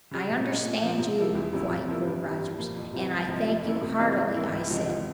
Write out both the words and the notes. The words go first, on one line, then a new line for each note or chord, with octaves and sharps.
"I understand you quite, Old Rogers, and I thank you heartily," I said.
C#3 G3 C#4
A#2
G#3 C#4
A#2
F3 C4
C3
F3 A#3 E4
E2
C3 G3 C#4 E4
C3
F3 A#3 E4
G2
E3 G3
C2
A#2 F3 A#3
F2
C3 E3 G3 C4
C#2
C3 F3 G#3
F2
E3 A#3 C#4 E4
C3
E3 G#3 C4
G#2
E3 A#3 E4
C#2
C3 F3 G#3 C#4
E2